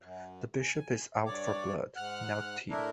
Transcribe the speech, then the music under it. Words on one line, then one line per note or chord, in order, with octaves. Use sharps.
The Bishop is out for blood, not tea.
F#2
G#5
G2 C#5 D5 D6
G#2 F#5 F6 F#6
A2 A3 D4 E4 A#4